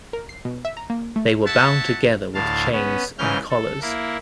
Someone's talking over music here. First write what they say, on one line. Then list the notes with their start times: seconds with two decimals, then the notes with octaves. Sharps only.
They were bound together with chains and collars.
0.13 A#4
0.29 C7
0.45 B2
0.65 E5
0.77 A#5
0.90 A#3
1.16 A3
1.46 C#5 E5 F#5 A5
2.34 D2 A2 F5 A5
2.72 B3 C#4
3.18 G#2 C#3 E3 C#4 F6 G6
3.50 A4
3.82 A#3 E4